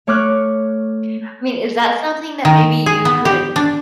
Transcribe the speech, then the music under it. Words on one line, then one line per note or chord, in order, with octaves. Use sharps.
I mean, is that something that maybe you could
A3 C#5 C#6 D6 F6 F#6
D#3
G#4
B3
G4
D4